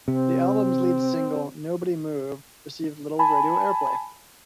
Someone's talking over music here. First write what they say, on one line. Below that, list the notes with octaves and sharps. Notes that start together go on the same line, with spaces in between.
The album's lead single, "Nobody Move", received little radio airplay.
C3 C4
G#5 A5 B5